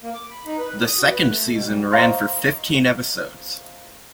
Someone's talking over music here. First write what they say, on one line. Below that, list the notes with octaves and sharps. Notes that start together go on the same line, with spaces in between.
The second season ran for fifteen episodes.
A#3
D6
B5
D#4
B4
A2
D#6
F#4
B4
A3
B2
G3
C5 D#5 F5 A#5 C6 C#6